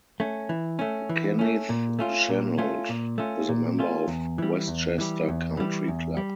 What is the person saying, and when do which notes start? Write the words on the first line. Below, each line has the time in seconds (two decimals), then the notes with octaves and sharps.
Kenneth Chenault is a member of Westchester Country Club.
0.20 A3 C#4
0.49 E3
0.79 A3 C#4
1.09 E3
1.39 A3 C#4
1.69 A#2
1.99 A3 C#4 F4
2.29 A#2
2.58 A3 C#4 F4
2.89 A#2
3.18 A3 C#4 F4
3.49 A#2
3.79 A3 C#4 F4
4.08 E2
4.38 E3 G3
4.68 E2
4.98 E3 G3
5.28 E2
5.57 E3 G3
5.88 E2
6.17 G3